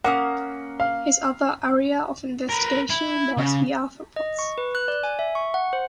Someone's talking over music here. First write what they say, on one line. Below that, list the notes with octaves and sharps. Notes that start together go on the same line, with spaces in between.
His other area of investigation was the arthropods.
A#3 C#4 F#5 D#6
F5
A#4 B4
E4
C#3
D#5
C#6
B4
F#6
D5
G#5
E5
C#6
F#5
C5